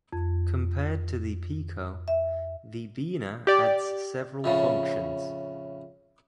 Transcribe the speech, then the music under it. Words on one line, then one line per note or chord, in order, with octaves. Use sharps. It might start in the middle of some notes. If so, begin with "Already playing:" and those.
Compared to the Pico, the Beena adds several functions.
F2
E5
G4 D5
F2 A2 C#3